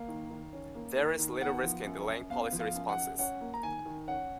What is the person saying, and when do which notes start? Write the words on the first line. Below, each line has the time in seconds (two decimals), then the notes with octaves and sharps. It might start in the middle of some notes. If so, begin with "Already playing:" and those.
There is little risk in delaying policy responses.
Already playing: A#3 F5
0.08 D#3
0.30 D#3
0.53 C#4
0.75 A#3
0.97 D#3
1.19 D#3
1.41 B3 F#5
1.63 F3
1.86 F#2
2.08 F#2
2.30 B3 F5
2.52 F3
2.60 F5
2.75 F#2
2.89 F#5
2.97 F#2
3.19 C#4 F#5
3.41 A#3
3.54 A#5
3.63 D#3 G#5
3.85 D#3
4.08 C#4 F#5